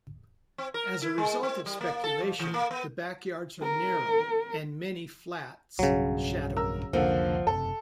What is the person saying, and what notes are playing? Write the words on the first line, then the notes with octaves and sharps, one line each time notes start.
As a result of speculation, the backyards are narrow, and many flats shadowy.
C4
A#4
E4
G#3
C4
G3
A#3
A4
F2
E3
A#3
B3
A#4
B1 G2 C#3 F#3
A#4 E6
C2 F2 D3 F3 A#3
F#1 C3 A4